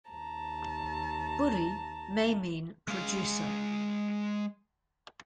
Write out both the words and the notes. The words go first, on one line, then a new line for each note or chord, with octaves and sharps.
"Buri" may mean "producer".
D#2 A5 A#5
G#3 F5